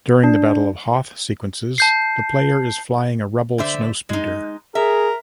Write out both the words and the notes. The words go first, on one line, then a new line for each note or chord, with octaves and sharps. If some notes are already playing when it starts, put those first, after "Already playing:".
During the Battle of Hoth sequences, the player is flying a Rebel snowspeeder.
D4
A5 G6 C7
D3 C5 E5
G#3 D#4
G#4 A#4 E5